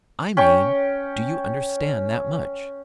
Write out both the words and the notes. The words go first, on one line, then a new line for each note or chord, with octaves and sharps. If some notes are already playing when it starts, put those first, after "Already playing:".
"I mean, do you understand that much?"
C#4 G5 C#6